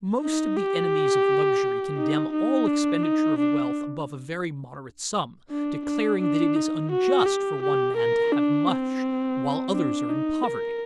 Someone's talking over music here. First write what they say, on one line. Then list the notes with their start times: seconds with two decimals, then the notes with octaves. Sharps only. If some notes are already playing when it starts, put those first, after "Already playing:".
Most of the enemies of luxury condemn all expenditure of wealth above a very moderate sum, declaring that it is "unjust" for one man to have much while others are in poverty.
0.21 D#4
0.57 G4
1.98 D#4
2.33 D#4
2.68 D4
3.03 D#4
3.39 D4
5.51 D4
5.85 D4
6.21 D4
6.56 D#4
6.92 F#4
7.26 G4
7.62 G4
7.97 A#4
8.32 D4
8.68 C4
9.73 D4
10.09 D#4
10.44 A#4